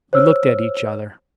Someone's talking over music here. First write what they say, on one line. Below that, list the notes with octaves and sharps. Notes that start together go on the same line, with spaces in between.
We looked at each other.
C5 C#5 E6 F6